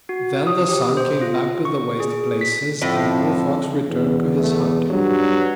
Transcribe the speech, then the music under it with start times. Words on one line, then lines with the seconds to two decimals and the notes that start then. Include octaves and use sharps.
Then the sun came back to the waste places, and Blue Fox returned to his hunting.
0.09 F#4
0.47 D#6
0.69 G4
0.97 C5
1.21 F4
1.65 C#6
2.00 G#4
2.41 B6
2.82 F2 A2
3.88 E2
4.39 A3
4.90 G2 F#3